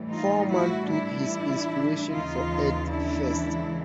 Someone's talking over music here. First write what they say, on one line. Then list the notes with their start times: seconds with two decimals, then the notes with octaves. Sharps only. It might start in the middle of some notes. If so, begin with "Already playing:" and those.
Foreman took his inspiration for Earth First!
Already playing: A2 E3 G3
0.10 D#4 F4
0.49 E4 F#4
0.90 D4 E4
2.09 D#2 C#3 E3 G#3 D#4 F4
2.89 D4 E4